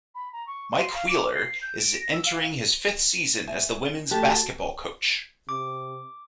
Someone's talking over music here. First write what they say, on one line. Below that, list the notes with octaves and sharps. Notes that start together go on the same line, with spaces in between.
Mike Wheeler is entering his fifth season as the women's basketball coach.
B5
A#5
C#6
C6
F5
D6
C7
G6
D7
A#6
E6
F5
E5 G#5
A3 F#4 G4 A5
C3 D6